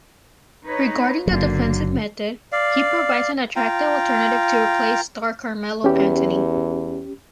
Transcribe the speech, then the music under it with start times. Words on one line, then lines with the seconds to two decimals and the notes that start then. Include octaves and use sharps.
Regarding the defensive method, he provides an attractive alternative to replace star Carmelo Anthony.
0.65 D#4 B4 C#5
1.27 F#1 D3 F#3 A#3
2.52 D5 F5
3.56 F4 G5 A#5
5.84 E2 C#4 G4